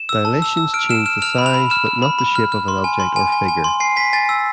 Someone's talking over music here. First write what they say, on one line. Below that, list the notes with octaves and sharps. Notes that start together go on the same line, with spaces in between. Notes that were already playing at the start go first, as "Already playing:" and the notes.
Dilations change the size but not the shape of an object or figure.
Already playing: E7
E6
A5
E6
E6
F6 D7
F6 E7
F6 E7
F6 F7
B5
F7
B5
F6 E7
F6
B5
B5
F6
F6
C6
G#5
C6
G#5
G#5
G#5
C6
G#5 C7
G#5 B6
G#5 A6
E6